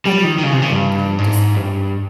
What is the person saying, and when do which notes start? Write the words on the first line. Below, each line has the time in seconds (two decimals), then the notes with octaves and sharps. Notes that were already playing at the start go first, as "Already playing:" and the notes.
I mean, my I just felt
0.05 G3
0.24 D#3
0.38 D#3
0.43 C#3
0.52 C3
0.62 C#3
0.72 G2
1.18 G#2
1.56 G2